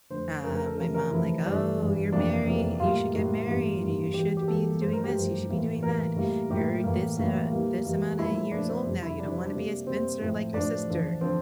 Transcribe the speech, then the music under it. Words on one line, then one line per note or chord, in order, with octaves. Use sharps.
uh, my mom, like, "Oh, you're married you should get married, you should be doing this, you should be doing that. You're this and, uh this amount of years old now, you don't want to be a spinster like your sister."
F2 D3 A3 C5
F2 D3 A3 A#4
A#4
A4
E2 C3 F3 A3 A#4
A#4
E2 C3 F3 A3 E4
G2 E3 G3 D4
G2 E3 G3
F2 C3 E3 A#3 D4
F2 C3 E3 A#3
A2 G3 A#3 F4
A2 G3 A#3
G2 E3 G3 A#3
G2 E3 G3 A#3
E2 E3 A#3 G4
G4
E2 E3 A#3 A4
G2 F3 A3 C5
A#4
G4
G2 F3 A3 C5
A2 E3 A#3
A2 E3 A#3 A#4
A2 G3 A#3
A2 G3 A#3 G4
A2 E3 A#3
A2 E3 A#3
E2 E3 G3 A#3
E2 E3 G3 A#3
A#2 F3 A3 E4
E4
A#2 F3 A3 D4
C4
F2 C3 G3
E4
F2 C3 G3 D4
C4
D4
C3 G3 A#3
C3 G3 A#3 C4
A2 F3 A3
A2 F3 A3 D4
E2 D3 F3
D3 F3 C4